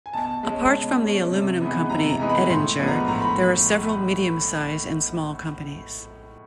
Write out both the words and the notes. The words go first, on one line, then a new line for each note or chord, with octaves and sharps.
Apart from the aluminium company "Oettinger", there are several medium-size and small companies.
G#5
B2 A5
G#3 C#4
B2
G#3 C#4
C3
E3 G#3 B3 D#4
C3 A#5
A#5
E3 G#3 B3 D#4
B5
A2 C6
F3 G#3 B3 D4
A#5
A2 A#5
B5